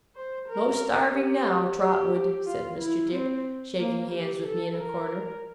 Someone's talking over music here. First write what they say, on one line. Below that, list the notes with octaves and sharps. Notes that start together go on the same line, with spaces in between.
'No starving now, Trotwood,' said Mr. Dick, shaking hands with me in a corner.
C5
A#4
G4
G4
F4
E4
C4
A#3
G4
A4
A#4